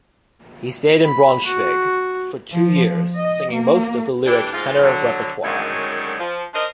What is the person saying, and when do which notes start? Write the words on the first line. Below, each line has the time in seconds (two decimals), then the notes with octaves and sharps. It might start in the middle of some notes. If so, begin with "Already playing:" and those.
He stayed in Braunschweig for two years, singing most of the lyric tenor repertoire.
1.04 B5
1.46 F#4
2.52 F3
3.15 D#5
3.53 A#3
4.26 E3 D4 G4
4.53 G#2 F4
4.83 D3 F#3
5.44 F#2 A2 D3 D#3 F#3 G#3
6.20 F3
6.54 D4 A#4 C5 D#5